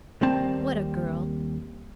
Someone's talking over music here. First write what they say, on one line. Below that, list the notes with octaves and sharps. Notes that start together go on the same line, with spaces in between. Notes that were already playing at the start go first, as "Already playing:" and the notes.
What a girl!
D#2 G3 A#3 C4 A5